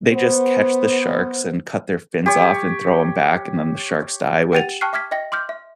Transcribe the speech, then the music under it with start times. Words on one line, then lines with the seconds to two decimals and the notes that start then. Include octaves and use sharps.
they just catch the sharks and cut their fins off and throw 'em back, and then the sharks die, which
0.12 B3 C5
2.26 G4 C#5
4.52 G4 F#5 G5 A6 D#7 F7
4.81 G5 A5 C#6 F6 F#6 C7
4.93 E5 D6 F6 G#6 B6
5.11 D#5 E5 G5 A#6
5.32 C6 D6 F6 G6
5.49 E5